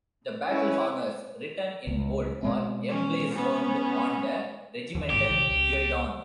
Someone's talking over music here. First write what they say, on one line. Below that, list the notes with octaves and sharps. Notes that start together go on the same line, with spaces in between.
The battle honours written in bold are emblazoned on the regimental guidon.
C#4 E4 B4
C#2
B2 G#3 C4
C#4
B3 C#4
D#2 D3
A#1 D#2 G#2 G4
A#1 C3 D#3
C#2